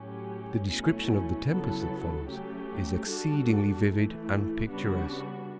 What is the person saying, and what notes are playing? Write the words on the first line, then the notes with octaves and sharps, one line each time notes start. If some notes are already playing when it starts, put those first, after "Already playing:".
The description of the tempest that follows is exceedingly vivid and picturesque.
Already playing: A2 F#3 C#4 G4
B2 F#3 A3 C#4 E4
C#3 F#3 B3 E4 A4
F#3 A3 C#4 G4
G3 D4 F#4 A4
E3 A3 E4
C#3 G3 B3 D4 F#4